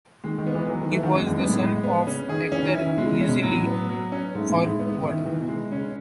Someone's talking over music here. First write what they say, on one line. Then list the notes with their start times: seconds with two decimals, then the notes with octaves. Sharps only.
He was the son of actor Leslie Howard.
0.24 D#3 G#3
0.38 D#3
0.47 B3
0.54 E3
0.69 E3 F#3
0.81 D#3
0.92 E3 A3
1.03 D#3
1.15 F#2 G#3
1.26 E2
1.38 F#2 B3
1.49 A2
1.61 G#3
1.83 B3
2.06 C#3 C#4
2.29 D#3 G#4
2.52 E3 C#4
2.63 D#3
2.75 E3 E4
2.86 D#3
2.97 B2 G#3
3.06 C#3
3.14 B2
3.21 C#3 C#4
3.29 B2
3.43 A2 F#3
3.66 B3
3.89 F#3
4.12 C#4
4.35 G#2 A3
4.49 A2
4.57 E4
4.65 G#2
4.79 G#2 B3
4.96 C#3
5.03 E4
5.10 D#3
5.26 D#3 E3
5.41 B2
5.49 G#3
5.72 C#3 C#4